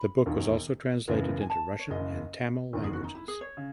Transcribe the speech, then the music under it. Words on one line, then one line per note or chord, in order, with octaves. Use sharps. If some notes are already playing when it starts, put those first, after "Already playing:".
The book was also translated into Russian and Tamil languages.
Already playing: B5
E1 D#2 D#3
F#1 F#2 C#3 E3 B3
G#5
A5
C#5
F#1 F#2 C#3 D#5
F#1 E2 D#3
G#4
F#4
D#4
E4
G#4
C#5
C#3